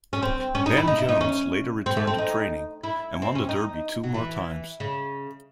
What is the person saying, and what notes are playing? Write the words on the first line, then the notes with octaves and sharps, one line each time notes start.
Ben Jones later returned to training and won the Derby two more times.
C#4
C4
C#4
D#4
E4
D#4
E4
D#4
C#4
C4
A3
C4
D#4
E4
C4
C#4
D#4
F#3
E3
C#3